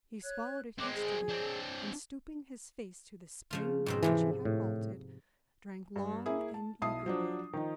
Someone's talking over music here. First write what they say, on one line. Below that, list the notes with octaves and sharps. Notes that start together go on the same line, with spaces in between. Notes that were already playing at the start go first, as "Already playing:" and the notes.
He swallowed it hastily, and stooping his face to the spring by which he had halted, drank long and eagerly.
C#5 F#6 G#6
G#3 C4 C#5 D6 F#6
G#4
C4 D4
C#3 F3 F4
G#2 B2 C4
G#2 C3 E3 F3
A2
G2
A#3 E4 G#4
A5
B1 E4 A5 D#6 C7
F3 F#3 D4
D#3 F3 D#4